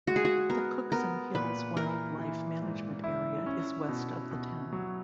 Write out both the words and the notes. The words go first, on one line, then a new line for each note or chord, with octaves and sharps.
The Cookson Hills Wildlife Management Area is west of the town.
G#3 F#4
G#4
F#4
B3 A#4
B3 A#4
A#2 B4
E3 A#4
E3
G#2
E4
C#4
B2
B2
F#3